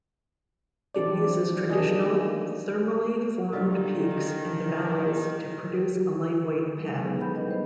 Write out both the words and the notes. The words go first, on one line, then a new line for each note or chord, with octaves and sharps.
It uses traditional thermally-formed peaks and valleys to produce a lightweight pad.
E3 C4 D4 D5
D#3 F#3 A#3 D4 G#4 D#5
A#2 D3 D#3 G3 F4
F#3 G#3
B3 D#4 G#4 A4 B4
F#5 G5 B5 G6
G3 C#4 E4 A#4 B4 D#5
B3 C5